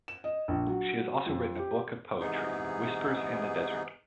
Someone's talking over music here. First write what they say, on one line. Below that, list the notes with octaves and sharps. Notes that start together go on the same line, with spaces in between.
She has also written a book of poetry, "Whispers in the Desert".
E7
D#5
A#1
F#3
F2
G4
G#2 C3 E3 B3 D#4 G#4